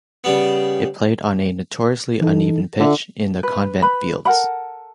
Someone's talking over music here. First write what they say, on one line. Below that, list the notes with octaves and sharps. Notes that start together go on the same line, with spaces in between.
It played on a notoriously uneven pitch in the 'Convent Fields'.
C#3 G3 B3
E3 D#4 A4
D3 F4 E5
B4
B4 B5
A4 A#4 F#5 B5